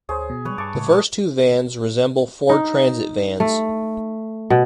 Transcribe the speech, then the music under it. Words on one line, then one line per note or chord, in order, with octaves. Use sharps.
The first two vans resemble Ford Transit Vans.
D2 G#4 C5 C#5
B2
E3 G3 B4 C#5
G2 A5 C#6 D6
A2 C#3 G#3
A#2 G#3 D#6
D#4
A3
B2